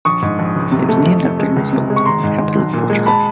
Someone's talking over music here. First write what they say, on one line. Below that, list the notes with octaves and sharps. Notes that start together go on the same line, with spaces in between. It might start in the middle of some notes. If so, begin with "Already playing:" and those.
It was named after Lisbon, the capital of Portugal.
A#1 C#6 D#6
G#2
A#1
C#2
C3
A3
F2
C3
G#3
C#2
C3
G#3
C#6
G#1 A#5 C6
G#2
G#1
B1
A#2
G#3
A5 B5